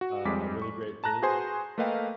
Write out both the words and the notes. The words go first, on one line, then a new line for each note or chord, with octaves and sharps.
uh, a really great thing.
F#4
F2 G3 G#3 D6 B6
C#6
A5 A#5 F#6 A#6
F#4 G#4 B4 C5 G#5 C6
A3 A#3 B4 D#5 F5 G5